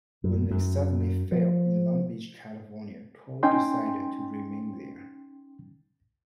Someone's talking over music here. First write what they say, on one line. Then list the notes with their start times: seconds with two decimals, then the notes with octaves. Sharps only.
When it suddenly failed in Long Beach, California, Cole decided to remain there.
0.24 F#2
0.51 F#2
1.32 F3
3.43 C#4 D#4 G5 G#5 C6